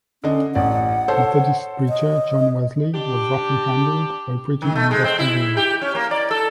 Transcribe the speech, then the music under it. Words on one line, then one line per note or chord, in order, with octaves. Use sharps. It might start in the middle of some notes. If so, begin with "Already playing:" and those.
Methodist preacher John Wesley was roughly handled while preaching on Gosta Green.
D3 C#4 D#5
A1 D5 F#5
A4 C5 C#5
D#5
D4 G4
D#3
A3
G#3
C4
E4
G4
C#4
A#3
D5
A4